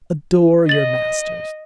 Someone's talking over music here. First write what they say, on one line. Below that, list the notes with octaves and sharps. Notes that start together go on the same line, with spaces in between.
Adore your masters.
D#5 A6 F#7